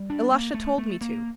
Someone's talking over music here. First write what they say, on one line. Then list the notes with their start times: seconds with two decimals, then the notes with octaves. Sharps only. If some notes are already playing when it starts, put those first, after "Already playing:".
Ilusha told me to.
Already playing: G3
0.10 D4
0.32 A#3
0.54 A3
0.78 A3
1.01 A#3